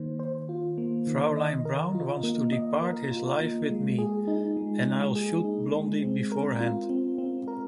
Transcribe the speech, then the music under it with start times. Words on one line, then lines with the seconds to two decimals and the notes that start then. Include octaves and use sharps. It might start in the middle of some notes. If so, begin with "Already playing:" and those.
Fraulein Braun wants to depart this life with me, and I'll shoot Blondi beforehand.
Already playing: D#3 A#3 C5
0.19 C5
0.49 F4
0.78 A#3
1.07 D#3
1.37 D#5
1.65 A#4
1.95 F4
2.23 A#3
2.52 D#5
2.82 A#4
3.11 F4
3.40 A#3
3.70 G#3
3.98 G#4
4.28 D#4
4.57 G#3
4.85 G#3
5.15 G#4
5.44 D#4
5.73 G#3
6.02 C4
6.32 A#4
6.61 F4
6.90 C4
7.18 C4
7.48 A#4